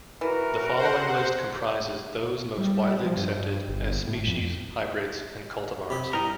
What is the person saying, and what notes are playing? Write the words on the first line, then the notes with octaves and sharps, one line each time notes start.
The following list comprises those most widely accepted as species, hybrids, and cultivars.
E3 F#4 A#4
C5 F#5
G3
F3
G2
G1
A2
F2
C3 G4 B5
G2 D#4 E4 A#4